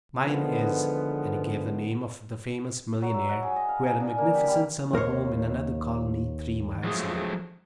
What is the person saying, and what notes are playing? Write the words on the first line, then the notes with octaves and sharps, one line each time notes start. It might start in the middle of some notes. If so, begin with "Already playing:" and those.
"Mine is ----," and he gave the name of the famous millionaire who had a magnificent summer home in another colony, three miles away.
D3 D#3 F3 G#3 B3
F#3
E5
F#5
G#4
D#5
F5
G#4
D4
A#3
G4
G3
D#2 A#4 C5 C#5
F3 F#3 G#3 A3 G#4